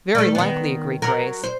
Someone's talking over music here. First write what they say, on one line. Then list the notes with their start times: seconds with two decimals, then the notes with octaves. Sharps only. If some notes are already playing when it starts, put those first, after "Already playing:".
"Very likely," agreed Grace.
0.15 G3 A3
0.35 D#3 B3
1.02 F#3 A#4
1.44 C5